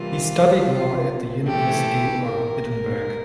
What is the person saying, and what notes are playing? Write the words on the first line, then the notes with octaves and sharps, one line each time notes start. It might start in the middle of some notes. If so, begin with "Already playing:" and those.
He studied law at the University of Edinburgh.
Already playing: C3 E3 G3 A#3 F4
C3 E3 A3 G4
A#4